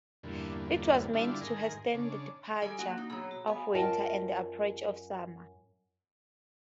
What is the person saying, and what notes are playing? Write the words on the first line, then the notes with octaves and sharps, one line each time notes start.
It was meant to hasten the departure of winter and the approach of summer.
E2 G2 A#2 D3
D3 G3 D4 E4 F4
G#2 D#3 G#4 A#4
C#3 D4
G3 G#3 A4 D5 G#5
A#3 F#4
D#4
B2 F#3 G#4 C#5
F#4
B3 F5 G#5
F#2 F4 A#4 D#5 G5 A5